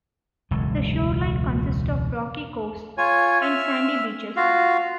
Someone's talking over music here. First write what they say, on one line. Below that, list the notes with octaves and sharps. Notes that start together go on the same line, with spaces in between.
The shoreline consists of rocky coves and sandy beaches.
E1 C#2 A2 F#3
F4 C#5 G#5
E5 F6
F4 F#4 F5